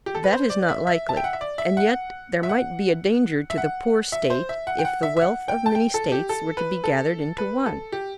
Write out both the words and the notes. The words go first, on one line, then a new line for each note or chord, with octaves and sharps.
That is not likely; and yet there might be a danger to the poor State if the wealth of many States were to be gathered into one.
G4
A4
B4
C5
D5
E5
E5
A5
G5
F#5
E5
D5
E5
F#5
E5
F#5
E5
F#5
E5
C5
E5
F#5
G5
F#5
E5
E5
F#5
G5
A5
G5
A4
G4
A4
B4
A4
B4
A4
G4